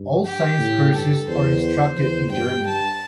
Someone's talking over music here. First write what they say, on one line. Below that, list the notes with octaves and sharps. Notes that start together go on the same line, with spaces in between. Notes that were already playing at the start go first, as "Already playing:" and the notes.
All science courses are instructed in German.
Already playing: G2
G4
A2
G2 A4
E2 C5
E2 C5
G2 G5
A5